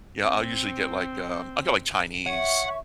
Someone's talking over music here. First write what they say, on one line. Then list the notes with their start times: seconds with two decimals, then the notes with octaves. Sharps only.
Yeah, I'll usually get, like, um I'll get, like, Chinese
0.23 C4
2.26 C#5 E5 F#5 C#6